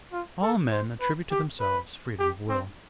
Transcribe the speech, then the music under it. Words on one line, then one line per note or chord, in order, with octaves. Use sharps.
All men attribute to themselves freedom of will.
F4
A4
C5
B4
G4
B4
G4
C4